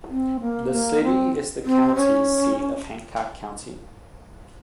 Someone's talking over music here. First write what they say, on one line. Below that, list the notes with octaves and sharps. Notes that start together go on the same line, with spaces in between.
The city is the county seat of Hancock County.
C4
A#3
A#3
C4
C4
C#4